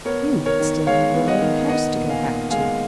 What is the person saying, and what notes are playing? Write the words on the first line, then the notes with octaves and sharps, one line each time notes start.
"You would still have your own house to go back to."
B3 A#4 C#5
D#3
A#4 C#5
D#3
G#3 C#5 F5
B3
D#5 F#5
D#3
B3 D#5 F#5
A#2
F5 G#5
A#2
G#3 F5 G#5